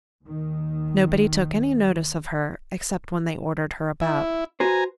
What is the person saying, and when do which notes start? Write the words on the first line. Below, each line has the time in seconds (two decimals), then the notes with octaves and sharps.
Nobody took any notice of her except when they ordered her about.
0.24 D#2 D#3
4.01 E4
4.60 F#4 B4 C5 G#5 A#5